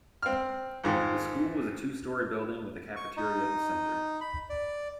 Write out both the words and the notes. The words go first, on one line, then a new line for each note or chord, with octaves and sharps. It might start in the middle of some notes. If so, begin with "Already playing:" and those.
The school is a two-story building with a cafeteria at the center.
C4 F6
F2 G#2 D#3
C#6
D#4
B5
D5